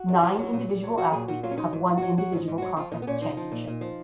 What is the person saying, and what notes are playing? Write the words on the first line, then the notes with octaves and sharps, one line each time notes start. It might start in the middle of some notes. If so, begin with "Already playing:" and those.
Nine individual athletes have won individual conference championships.
Already playing: F#4
F#2
F3
F#3
A#2
A#2
F#3
F#3 F#4
A#2 G#4
A#2 F#4
F#3 F4
C#4
F#3 D#4
G#2
G#2
F#3 F#4
F#3 F#4
G#2 D#4
G#2
F#3 F#4
F3 F4
A#2 D#4
B3
A#2 C#4
F3 D#4
F3
A#2
A#2
F3